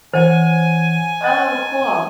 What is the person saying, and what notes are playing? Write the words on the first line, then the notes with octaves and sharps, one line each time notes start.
Oh, cool.
E3 C5 C#5 F#5 G#5
D#5 A6